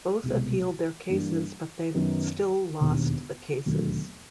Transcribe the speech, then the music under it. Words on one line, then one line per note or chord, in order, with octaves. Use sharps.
Both appealed their cases but they still lost the cases.
C2 B2 G#3
G2 E3 G3 A#3 D4
F#2 D#3 F#3 B3 D#4
E1 D#2 D3
E1 D#2 D3 F#3 A3